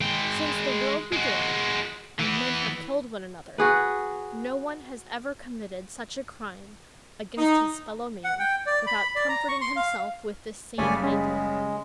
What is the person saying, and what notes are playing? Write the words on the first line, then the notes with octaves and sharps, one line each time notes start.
Since the world began and men have killed one another no one has ever committed such a crime against his fellow man without comforting himself with this same idea.
G#3 G5
G#3 F#4
E3 B3
F#4 G#4 B4
D#4
F#5
G5
D5
B5
D5
A#5
C#6
C6
F5
F#1 C#3 G3 A3 C#5 D5 G#5
G#3 C#4